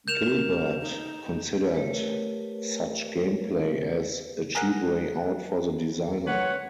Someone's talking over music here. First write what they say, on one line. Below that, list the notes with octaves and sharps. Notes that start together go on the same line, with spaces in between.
Gilbert considered such gameplay as "a cheap way out for the designer".
A#4 G6 E7 F7
D#4
A3 G4 A#4 B4 C#5
G#4 A#4 F#5
B4 C#5 F#5